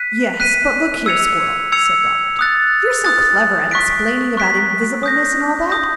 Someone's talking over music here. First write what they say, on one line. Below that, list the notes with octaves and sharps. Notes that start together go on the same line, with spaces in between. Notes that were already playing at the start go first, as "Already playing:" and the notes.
'Yes, but look here, Squirrel,' said Robert; 'you're so clever at explaining about invisibleness and all that.
Already playing: F#6 B6 D#7
F#6 B6 D#7
E6 G#6 C#7 F7
E6 G#6 C#7 F7
D#6 F#6 A6
D#6 F#6 A6
C#6 F#6 B6 D7
C#6 F#6 B6 D7
D#6 G6 A#6
D#6 G6 A#6